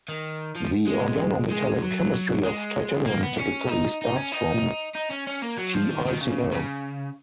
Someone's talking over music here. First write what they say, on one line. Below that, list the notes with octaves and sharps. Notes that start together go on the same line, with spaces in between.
The organometallic chemistry of titanium typically starts from TiCl.
D#3
F3
G#3
G#3
F#3
G#3
A#3
B3
C#4
D#4
D#4
C#4
D#4
D#4
C#4
C#4
A#3
F#3
F3
D#3
D#3
C#3
C#3